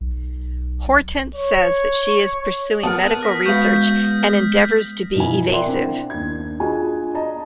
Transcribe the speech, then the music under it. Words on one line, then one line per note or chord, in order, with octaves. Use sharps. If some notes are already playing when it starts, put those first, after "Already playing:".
Hortense says that she is pursuing medical research and endeavours to be evasive.
B1
C#5
B3 A#4 F#5 A5 D#6
F6 A#6 B6
G#3 F#4 B4 F5 G6
B2 E3 F3 E4 G#5
A#4 D5 E5 F#5 G5 C6
C4 D4 E4
D#2 D4 G#6
D4 F4 F#4 G#4 D#5 G#5
D#5 A5 A#5